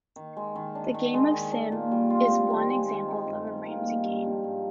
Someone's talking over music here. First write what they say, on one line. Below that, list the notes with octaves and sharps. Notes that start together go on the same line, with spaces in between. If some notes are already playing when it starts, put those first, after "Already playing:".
The game of Sim is one example of a Ramsey game.
D#3
G#3
D#3
D4
D#3
G#3
D#3
D4
A#2
G3
F4
C4
D#3
G#3
D#3
D#4
G2
D#3
A#3
G3
G2
F3
G2